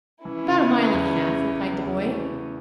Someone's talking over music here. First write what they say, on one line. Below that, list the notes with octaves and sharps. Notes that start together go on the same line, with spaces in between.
"About a mile and a half," replied the boy.
E3 C#4 E4
C#3
B3
E2
E3
C#3
B3
E2
E3 A3 C#4
C#3